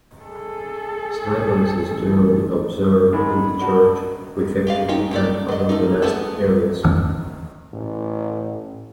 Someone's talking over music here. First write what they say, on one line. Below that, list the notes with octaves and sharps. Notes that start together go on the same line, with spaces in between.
Silence is generally observed in the church, refectory and other monastic areas.
G#4 A4
A1
G#2 D#3 G3 B5
D4 F#4 A5
G4 B4 F5
C#4 D#4 G4
A#3 G4 A4 D5
F#3 D#5
A3 D#4
A3 B3 G#4 A4 B4
A1 A2